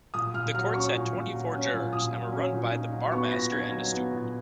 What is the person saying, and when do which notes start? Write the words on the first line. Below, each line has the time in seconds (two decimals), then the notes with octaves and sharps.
The courts had twenty-four jurors, and were run by the Barmaster and a steward.
0.14 A#2 D#6
0.34 A#2 F6
0.54 F#3 F6
0.73 C#4 C#6
0.93 A#2
1.14 A#2
1.33 F#3
1.53 C#4
1.74 A#2
1.92 A#2 D#6
2.12 F#3
2.32 C#4
2.53 A#2
2.72 D#4
2.92 F#3
3.12 B3 C#6
3.31 A#2 A#6
3.52 D#4 G#6
3.72 F#3
3.92 B3
4.12 A#2